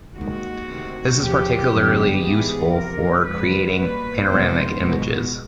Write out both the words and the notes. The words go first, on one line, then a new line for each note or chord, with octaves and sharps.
This is particularly useful for creating panoramic images.
D#2 D#3 G#3 F#4
D2 C3 D#3
D#2 C#3 F3 G4
F#2 D3 G3 B3
G#2 E3 G3 B3 G#4
F2 C3 F3 A#3 A#4
F2 D3 F3 G#3 B4
B2 G3 A#3 B4
F2 C3 D#3 G#3 B3 C5
B2 G#3 B3